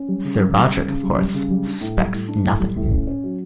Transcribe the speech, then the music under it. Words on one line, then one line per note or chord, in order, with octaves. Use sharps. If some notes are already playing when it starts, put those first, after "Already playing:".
Sir Roderick, of course, suspects nothing.
Already playing: C#4
G3
C#3
G3
G3
C#3
C#3
G3
G3
C#3
G3
D4
A2
G3
A2
D4
A2
G3
A2
C#4
C#4
F#3